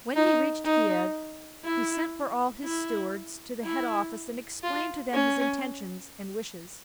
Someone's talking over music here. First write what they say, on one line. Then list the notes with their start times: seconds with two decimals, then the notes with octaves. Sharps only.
When he reached Kiev he sent for all his stewards to the head office and explained to them his intentions and wishes.
0.16 D#4
0.65 D#4
1.64 E4
2.64 E4
3.64 E4
4.63 F4
5.13 C#4